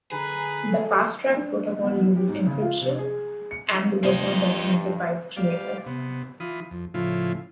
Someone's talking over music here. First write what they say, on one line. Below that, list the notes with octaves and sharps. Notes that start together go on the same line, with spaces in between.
The FastTrack protocol uses encryption and was not documented by its creators.
D3 G#4 B4 A#5
A4
D4
B3
E4
G4
G#2
C#3
F4
C3
G#4
C#7
G2 C3 F3 E4 C5 D#5
G3 D5 F5
C3 B3
E3 F4 B5 D#6
F2
A2 C#3 F3 E4 F4